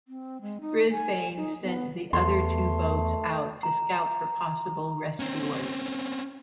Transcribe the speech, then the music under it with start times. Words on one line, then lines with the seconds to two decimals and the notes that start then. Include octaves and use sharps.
Brisbane sent the other two boats out to scout for possible rescuers.
0.08 C4
0.41 G#3
0.61 D#4
0.91 G#5
1.37 D#4
1.62 B3
2.13 E2 A3 C6
3.63 A#5
5.20 C4 C#4